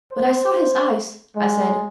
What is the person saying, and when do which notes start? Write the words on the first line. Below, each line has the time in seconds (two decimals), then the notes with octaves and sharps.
"But I saw his eyes," I said.
0.12 C5
1.35 G#3